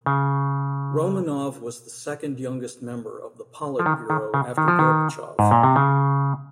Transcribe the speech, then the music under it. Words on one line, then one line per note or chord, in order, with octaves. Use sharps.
Romanov was the second youngest member of the Politburo after Gorbachev.
C#3
F3
D#3
D#3
C#3
D#3
F3
D#3
G#2
A#2
C3
C#3